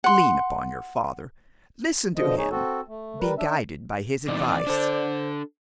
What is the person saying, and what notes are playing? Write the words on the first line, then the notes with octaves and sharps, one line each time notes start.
Lean upon your father, listen to him, be guided by his advice.
F#5 C6
B2 D3 F3 D#5
D#4 G#4 C#5
C4 F#4 A4
A3
G3 A#4 B4
D4 E5
E3 C4 D#4 D5
D4 A4 C5